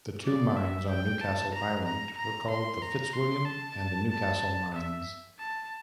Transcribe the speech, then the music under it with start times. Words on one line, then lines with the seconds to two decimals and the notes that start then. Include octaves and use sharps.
The two mines on Newcastle Island were called the Fitzwilliam and the Newcastle mines.
0.25 D5
0.56 E5
0.89 G5
1.21 A5
1.53 A#5
1.84 A#5
2.16 A#5
2.49 C6
2.81 A#5
3.13 C6
3.45 A5
4.10 A5
4.74 E5
5.38 A5